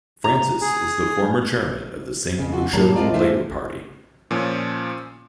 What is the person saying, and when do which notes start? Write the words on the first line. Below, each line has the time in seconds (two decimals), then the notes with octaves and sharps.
Francis is the former chairman of the Saint Lucia Labour Party.
0.24 A#5
0.61 G#4
2.39 F2 C#3
2.52 F4 F#4
2.73 A2 F#3 G3 A#3 A5 A#5
2.96 A2 G#3 C4 F4 D5
3.14 G2 E3 A3 F4 C5 E5
4.31 A#2 F3 C#4